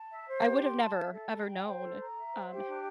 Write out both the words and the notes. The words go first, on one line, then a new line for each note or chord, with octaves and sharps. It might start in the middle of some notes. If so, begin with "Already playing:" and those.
I would have never ever known, um, ha
Already playing: A5
E5
C5
G4
C6
A5
E5
A4
A#5
G5
C5
A4
A#5
E5
C5
G4
D4